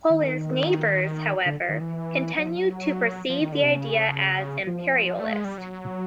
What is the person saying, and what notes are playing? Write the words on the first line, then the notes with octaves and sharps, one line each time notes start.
Poland's neighbors, however, continued to perceive the idea as imperialist.
D#3
D3
D#3
E3
F#3
F3
F#3
F3
D#3
D3
C3
C#3
F3
A3
G#3
G3
F#3